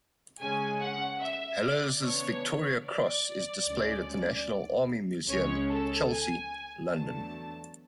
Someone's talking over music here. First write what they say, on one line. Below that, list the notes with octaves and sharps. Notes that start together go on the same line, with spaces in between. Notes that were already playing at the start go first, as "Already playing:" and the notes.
Hallowes' Victoria Cross is displayed at the National Army Museum, Chelsea, London.
C#3 G#3 C#4 G#5
F#5
E5
D5
C#3 E3 B3 D4 C#5
D5
D2 C#3 G#3 C#4
C#2 C#3 G#3 C#4 C#5
A4
G#5
E2 D3 F#3 A3 A5